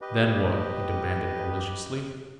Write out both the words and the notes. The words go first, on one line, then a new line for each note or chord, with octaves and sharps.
"Then what?" he demanded maliciously.
G4 B4 D#5